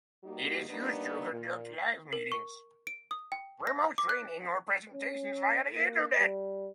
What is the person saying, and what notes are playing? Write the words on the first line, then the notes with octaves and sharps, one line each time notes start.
It is used to conduct live meetings, remote training, or presentations via the Internet.
G3 A#3 D#4 F#4 G4
G3 A#3 B3 D4 D#4
A#2
A#4
C#6
D7
D#6
G5
A#6
D6
F#6
C#4
A#3
G3